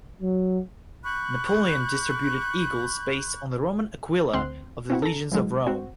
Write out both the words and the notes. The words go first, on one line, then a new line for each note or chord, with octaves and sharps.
Napoleon distributed "eagles" based on the Roman aquila of the legions of Rome.
F#3
B5 C#6 F#6 G6
D2 C4 C6 F#6
C4 E4 F#4
A4 A#5
E3 F#3 G#3
C4 F#4